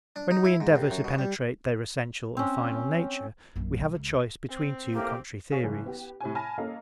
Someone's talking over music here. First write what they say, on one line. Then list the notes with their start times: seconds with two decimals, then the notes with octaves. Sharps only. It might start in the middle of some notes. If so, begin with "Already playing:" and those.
When we endeavour to penetrate their essential and final nature, we have a choice between two contrary theories.
0.16 D4
0.31 D#4
0.45 E4
0.60 G#2
0.76 D#2
0.91 F#2
1.04 B2
1.18 G3
2.37 C4 C#4
3.56 A#1 F#2
3.81 B2
3.95 C#2
4.49 C4
4.93 A2 C3 A#3 G4
5.52 G#4 C#5 F5
5.63 F#1 G#4
5.85 B3 G4
6.20 A2 C3 G#5
6.35 G#5 A5 B5 F6 A#6
6.58 A#3 C#4 A4 D#5 F5